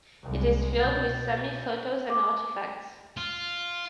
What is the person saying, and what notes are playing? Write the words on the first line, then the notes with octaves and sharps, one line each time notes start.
It is filled with Sami photos and artifacts.
C2 G#3
B2 G6 A6
D6
F4